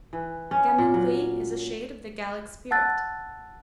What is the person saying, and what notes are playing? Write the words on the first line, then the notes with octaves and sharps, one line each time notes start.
Gaminerie is a shade of the Gallic spirit.
E3
C#4
A#2
F#3
F#5 A5 E6 F#6 A6